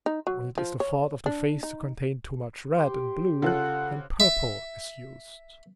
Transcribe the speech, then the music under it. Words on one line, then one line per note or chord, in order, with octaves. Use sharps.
When it is the fault of a face to contain too much red and blue, then purple is used.
D#4
F#3
F3
C#5
D4
D#4
G4 C5
C#3 F4 A4 F#5 F#6
E5